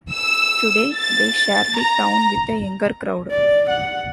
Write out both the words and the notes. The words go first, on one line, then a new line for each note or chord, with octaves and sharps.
Today, they share the town with a younger crowd.
E6
A6
A#5
D5
F#5